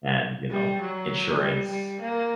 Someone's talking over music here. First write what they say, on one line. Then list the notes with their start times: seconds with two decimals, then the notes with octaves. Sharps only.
and, you know, insurance
0.50 G3
0.81 F#3
1.41 G3
1.70 G3
2.00 A#3